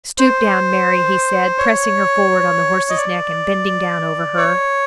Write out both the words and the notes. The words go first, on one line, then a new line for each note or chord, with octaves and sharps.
"Stoop down, Mary," he said, pressing her forward on the horse's neck and bending down over her.
C5
C#5
D#5
D5
C#5